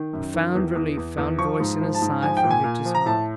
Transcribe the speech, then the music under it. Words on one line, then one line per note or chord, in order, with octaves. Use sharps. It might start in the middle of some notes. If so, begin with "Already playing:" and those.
Profound relief found voice in a sigh from Victor's heart.
Already playing: D#3
F#2
D#3
E2
E2
E2
E2
F3 C#6
G#2
F3
A5
G#2
F3 G#5
G5
A#2
G#5
A#2
F3
A#5
A2 A5